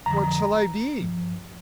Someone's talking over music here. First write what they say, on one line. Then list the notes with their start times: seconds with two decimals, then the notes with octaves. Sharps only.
"What shall I be?"
0.06 F2 D3 F3 A#5
1.00 G2 F3